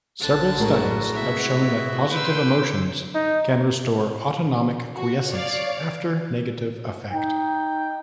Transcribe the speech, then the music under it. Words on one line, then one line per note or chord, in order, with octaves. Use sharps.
Several studies have shown that positive emotions can restore autonomic quiescence after negative affect.
A#1 D3 F3 A5 F#6
A2 G#3 F#4 A#4
C3 B3 E4 E5
B4 C6 D6 E6 G6
D#4
F#4
C#5 D5 F5
D#4 G5